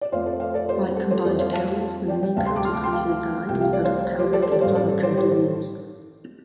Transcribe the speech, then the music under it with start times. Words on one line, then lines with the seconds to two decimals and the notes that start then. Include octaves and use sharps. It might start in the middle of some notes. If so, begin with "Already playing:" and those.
Like combined pills, the minipill decreases the likelihood of pelvic inflammatory disease.
0.01 D5
0.12 F2 F3 A3 C5 F5
0.26 A4 D5
0.40 C5 F5
0.54 A4 D5
0.69 G4 C5
0.82 G4
0.96 A4
1.11 G4 C5
1.24 F2 F3 A3 A4 D5
1.38 C5 F5
1.53 F5 A5
2.08 D5 G5
2.23 D5 G5
2.36 D2 C3 A3 F5 A5
2.46 G5 C6
2.56 A5 D6
2.65 C6 F6
2.74 A5 D6
2.84 G5 C6
2.93 F5 A5
3.49 C2 C3 F3 A3 G5
3.61 F5
3.73 D5
3.84 C5 F5
4.19 G4 C5
4.33 A4 D5
4.42 G4 C5
4.51 A4 D5
4.61 A1 G2 G3 C5 F5
4.75 A4 D5
4.89 A4
5.03 G4 C5
5.18 G4 C5
5.31 A4